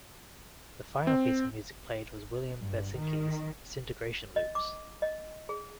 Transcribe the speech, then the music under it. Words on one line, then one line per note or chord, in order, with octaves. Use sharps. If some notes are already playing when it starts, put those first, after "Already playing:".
The final piece of music played was William Basinski's "Disintegration Loops".
C4
G2
D#3
D#5
D6
D#5
G#4